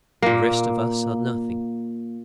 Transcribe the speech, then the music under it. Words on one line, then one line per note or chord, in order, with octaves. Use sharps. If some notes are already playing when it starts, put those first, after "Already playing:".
The rest of us are nothing.
A#2 A#3